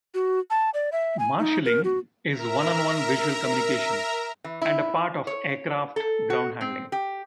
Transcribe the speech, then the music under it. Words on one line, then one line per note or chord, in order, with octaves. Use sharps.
Marshalling is one-on-one visual communication and a part of aircraft ground handling.
F#4
A5
D5
E5
G#5
D#4
A#4
F#4
A#4 E5 A#5
E3
E4
C#5
A4
F#4
C4
G4